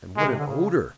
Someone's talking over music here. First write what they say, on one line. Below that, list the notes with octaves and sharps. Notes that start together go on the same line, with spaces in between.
And what an odour!
C3 G#3
D3
C#3